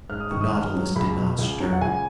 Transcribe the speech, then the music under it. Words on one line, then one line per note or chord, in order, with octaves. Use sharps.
The Nautilus did not stir.
G#2 F6
D#6
D#3 C#6
D#6
G#2 F6
F#3
C#2 B5
B2
C#2
F#3
F#5
C#2 G#5